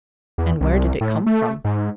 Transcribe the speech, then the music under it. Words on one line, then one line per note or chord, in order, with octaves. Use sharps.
"And where did it come from?"
E2
C2
A2
A3
G#2